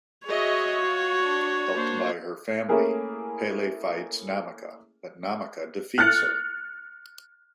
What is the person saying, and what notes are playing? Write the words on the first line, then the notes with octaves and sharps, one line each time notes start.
Helped by her family, Pele fights Namaka, but Namaka defeats her.
F#4 G#4 C#5 D#5 E5
F4
D4
A#3 D4 C5
A3 A#3 C#4 E4 G#4 A#4
F6 F#6 A6 C#7